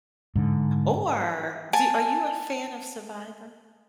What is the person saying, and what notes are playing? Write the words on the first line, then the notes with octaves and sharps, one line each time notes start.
Or do are you a fan of Survivor?
G#2 D3
G#5 A5